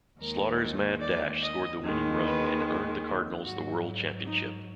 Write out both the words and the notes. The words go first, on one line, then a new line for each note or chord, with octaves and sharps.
"Slaughter's Mad Dash" scored the winning run and earned the Cardinals the world championship.
D#2 D#3 G#3 A#4
D5
D#5
D#2 D#3 G#3
B4
G#2 F#3 F#4
D#4